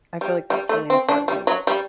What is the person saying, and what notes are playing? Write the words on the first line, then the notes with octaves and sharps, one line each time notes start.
I feel, like, that's really important.
G3
G3
A3
C4
D4
G3
F#3
G3